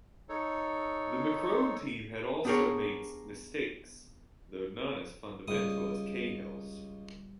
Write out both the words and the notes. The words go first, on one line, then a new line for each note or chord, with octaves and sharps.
The McCrone team had also made mistakes, though none as fundamental as Cahill's.
D#4 A4 C#5
B3 D4 G4 G#4 A#4 C#5
C#2 G3 D#6